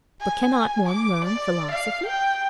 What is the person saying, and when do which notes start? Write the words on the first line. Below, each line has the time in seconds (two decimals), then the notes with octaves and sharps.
"But cannot one learn philosophy?"
0.21 G#5
0.89 D6
1.25 D5
1.71 F5
2.07 G5